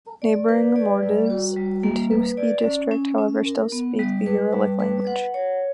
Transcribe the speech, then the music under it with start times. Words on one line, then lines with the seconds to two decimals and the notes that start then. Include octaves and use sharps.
Neighbouring Mordvins in Tetyushsky District, however, still speak a Uralic language.
0.22 D5
0.48 B4
0.76 D5
1.03 G3
1.30 F#4
1.56 G3
1.83 A#3
2.11 B4
2.37 D5
2.64 C#4
2.91 C#4
3.18 C#4
3.45 A#4
3.72 B3
3.99 G3
4.26 B4
4.53 G3
4.80 B4
5.07 F#5
5.34 C#5